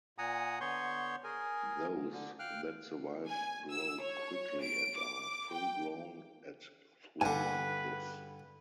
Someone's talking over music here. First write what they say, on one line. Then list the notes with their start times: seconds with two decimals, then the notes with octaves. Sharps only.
Those that survive grow quickly and are full grown at three months.
0.18 A#2 F#5 G#5 A#5 D#6
0.61 D3 B3 C#5 C6 C#6 G6
1.24 G#4 A#4 G#5
2.12 D3
2.39 F5 G5 F6 F#6
3.27 G#5
3.72 E6
4.02 C#5
4.62 D7
4.97 D6
5.53 G5
7.21 G2 D3 B4 G#5